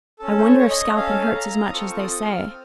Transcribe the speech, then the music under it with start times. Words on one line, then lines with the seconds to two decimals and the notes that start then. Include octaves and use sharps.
I wonder if scalping hurts as much as they say.'
0.19 C#4 A4
0.38 C5
0.44 C#5
0.59 C#5
0.70 D#5
0.96 C#4 A4 F5
1.35 A#5
1.64 D#6
1.73 C4 F4 A4 C#6
1.98 D#6
2.24 F6
2.50 C4